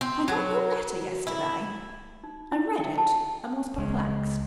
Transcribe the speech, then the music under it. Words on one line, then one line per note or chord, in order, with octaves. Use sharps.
I got your letter yesterday, I read it and was perplexed.
C4
F#3
E4
D#4
E4
G5
A5
C#2 G#3